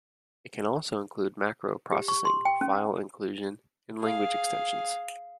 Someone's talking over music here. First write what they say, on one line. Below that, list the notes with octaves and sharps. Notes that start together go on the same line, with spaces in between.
It can also include macro processing, file inclusion and language extensions.
G4
C#6
C6
G5
C#4
G#4 F5